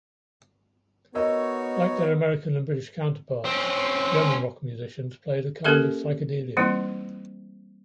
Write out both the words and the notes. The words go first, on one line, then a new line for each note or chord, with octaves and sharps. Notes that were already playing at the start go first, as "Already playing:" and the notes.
Like their American and British counterparts, German rock musicians played a kind of psychedelia.
B3 D#4 F#4 A#4 C#5 D#5 E6
C4 C#4
A#3 C#4 G4 A4 A#4 E5
E3 G3 A#3 C4 D#4 E4